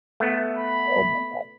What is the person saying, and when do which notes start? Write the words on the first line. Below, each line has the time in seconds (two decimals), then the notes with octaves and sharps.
Oh my god,
0.20 A3 B3
0.57 B5